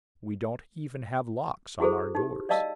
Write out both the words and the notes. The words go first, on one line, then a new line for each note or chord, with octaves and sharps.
We don't even have locks on our doors.
E4 F#4 G#4 A4 C5
D#4 G4
D5 D#5 F5 A5 E6